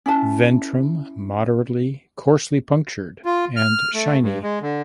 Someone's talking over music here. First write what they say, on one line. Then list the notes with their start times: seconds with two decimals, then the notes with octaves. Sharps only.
Ventrum moderately coarsely punctured and shiny.
0.06 C#4 E4 A5
3.25 F4
3.56 F6
3.94 A3
4.21 G2
4.43 G#3
4.62 D3